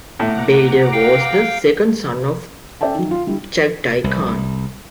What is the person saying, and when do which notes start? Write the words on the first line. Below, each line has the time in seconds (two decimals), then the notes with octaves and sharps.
Baidar was the second son of Chagatai Khan.
0.19 A2 F#5 A#5 D6
0.92 F5 G5
2.81 C#4 A4 D5 E5 G5 A5
2.95 D#3 F#3
3.11 F4
3.26 D3 G3 E4
4.04 C2